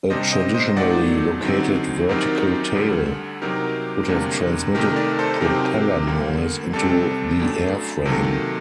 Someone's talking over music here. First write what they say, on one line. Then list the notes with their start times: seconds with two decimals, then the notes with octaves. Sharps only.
A traditionally located vertical tail would have transmitted propeller noise into the airframe.
0.10 C3 G3 D4 C5 D#5
0.32 C5 D#5
0.54 C5 D#5
0.76 A#2 F#3 A3 D#4 D5 F#5
1.43 D2 D3 F#3 C4 D#4
2.09 F#2 D#3 F#3 C4 D#4 G4 A#4
2.75 D2 D3 G3
3.42 C3 F#3 C4 D#4 G4 A#4
4.08 D2 C3 G3 A#3 D4
4.74 C2 C3 D#3 A3 D#4 G4 A#4
4.96 A#4 D5
5.19 A4 C5
5.41 C3 F#3 C4 D#4 G4 A#4
6.07 D2 D3 G3 A#3
6.73 C2 C3 G3 C4 A4
7.40 F#2 F#3 A3 D4
8.05 C3 D#3 F#3 A#3 A4